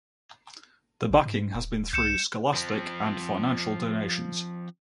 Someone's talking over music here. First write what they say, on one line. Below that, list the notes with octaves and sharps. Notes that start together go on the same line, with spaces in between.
The backing has been through scholastic and financial donations.
A1
G#2
D#1
C2 G6 C#7 E7
F3 C4